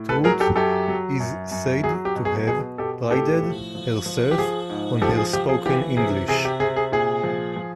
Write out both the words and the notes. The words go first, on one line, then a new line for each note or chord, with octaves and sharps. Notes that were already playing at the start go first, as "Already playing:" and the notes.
Truth is said to have prided herself on her spoken English.
Already playing: A2
A4 B4
F#3 G#4 A#4
G4 A4
F#2 G4 A4
F#3
F#2
F#2
F#3 G#4
G4
B2
G#4
B2 G#4
B2 G4 A4
A2 G4 A4
F3
F3
F3
G4
F3 G#4
G#2
F3 G4 A4
G#4
F3 G4
G#4
E3 G4
C3 G#4
C3 G#4
G4
C3 G#4
G#4
A#2 G#4
F3
F3